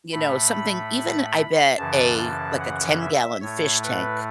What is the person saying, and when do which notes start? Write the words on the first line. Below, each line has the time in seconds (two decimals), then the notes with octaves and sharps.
you know, something even I bet a like, a ten-gallon fish tank,
0.12 A2 A3 B5
1.77 F#2 C#3 E3 A5
2.18 A5
2.60 F#5
3.00 E5
3.41 A2 A3 C#5
3.83 B4